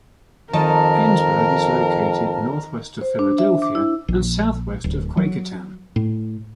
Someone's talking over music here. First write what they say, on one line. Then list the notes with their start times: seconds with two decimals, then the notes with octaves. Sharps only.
Pennsburg is located northwest of Philadelphia and southwest of Quakertown.
0.53 F2 D#3 A#4 D#5 A5
3.01 C5
3.19 D4
3.38 E5
3.62 D6
3.75 E4
4.08 A#1
4.84 D1
5.17 F#3
5.96 A2